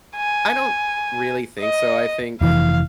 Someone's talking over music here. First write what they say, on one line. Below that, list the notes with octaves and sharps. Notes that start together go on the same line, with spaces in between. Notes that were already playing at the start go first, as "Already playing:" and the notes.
I don't really think so. I think
G#5
D#5
F1 E3 F5